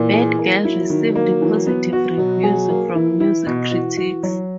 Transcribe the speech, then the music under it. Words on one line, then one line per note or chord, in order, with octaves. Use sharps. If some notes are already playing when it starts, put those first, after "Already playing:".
"Bad Girl" received positive reviews from music critics.
Already playing: A#2 E3
G#4
A#3
F#3 E4
D#3
A#3
E3
B3
F#4
B2 F#3
G#4
A#3
E3 E4
E4
B2
E3 F#4
F#4
F#3